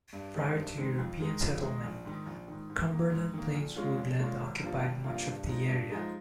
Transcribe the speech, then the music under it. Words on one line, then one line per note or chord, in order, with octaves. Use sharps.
Prior to European settlement, Cumberland Plains Woodland occupied much of the area.
G2
D#3 G#3 C4
G2
D#3 G#3 C4
F2
D#3 G#3 D#4
F2
D#3 G#3 D#4
A#1
G#2 D#3
A#1
G#2 D#3
G#2
D#3 A#3
G#2
D#3 A#3
A#1
A#2 G#3 C#4 F4
A#1
A#2 G#3 C#4 F4
G#1
G2 F3 A#3 F4
G#1
G2 F3 A#3 F4
G2
F3 G#3 D#4
G2
F3 G#3 D#4